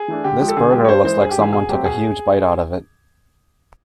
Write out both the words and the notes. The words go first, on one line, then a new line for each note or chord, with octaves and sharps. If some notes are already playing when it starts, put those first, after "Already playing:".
This burger looks like someone took a huge bite out of it.
Already playing: G#4
E3 A3 D4
D3 G4
F3 G#3 G4
A4
D3 G#4
F3 G#3 G4
C#5
G2 C5
E3 G#3 C5
G2 G#4
G4
E3 G#3 G#4
B2 G#4
F#3 A3 C4 G4
B2 G#4